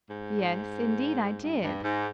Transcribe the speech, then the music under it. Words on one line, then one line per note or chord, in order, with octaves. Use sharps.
"Yes, indeed, I did."
G#2
G2
G2
G#2